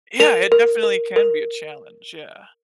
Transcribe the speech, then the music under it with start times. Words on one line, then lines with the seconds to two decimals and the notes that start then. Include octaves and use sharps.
Yeah, it definitely can be a challenge, yeah.
0.20 A#4 F7
0.52 A#4
0.83 A#4
1.16 A#4